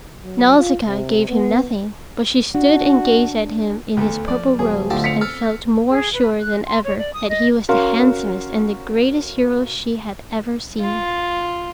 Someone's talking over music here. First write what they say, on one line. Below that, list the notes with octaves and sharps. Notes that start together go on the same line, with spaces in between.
Nausicaa gave him nothing, but she stood and gazed at him in his purple robes and felt more sure than ever that he was the handsomest and the greatest hero she had ever seen.
F#3
F4
C3
B3
D4 F#4
D2 B3 G4 A4
F3 D5
D1 B3 G#4
D2 F3 G4 A5
C4 B6 C#7 F7
A4 F6
G#4
B4
F#6
C6
C#5
D5
D#6
D#5
C#4 F#4 A#4 F5 C6
F4